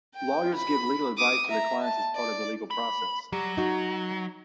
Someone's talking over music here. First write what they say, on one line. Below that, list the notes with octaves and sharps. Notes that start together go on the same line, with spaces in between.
Lawyers give legal advice to their clients as part of the legal process.
G5
B5
D6 D#6
E5 A#5
A5
D5
B5
F#3 G3
D#4 F#4